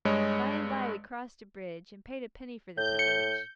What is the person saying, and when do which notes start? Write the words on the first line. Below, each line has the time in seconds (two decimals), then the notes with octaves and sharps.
By and by we crossed a bridge, and paid a penny for the privilege.
0.05 G2 G#3 C#5 D#5
2.77 A2 G6
2.99 C#7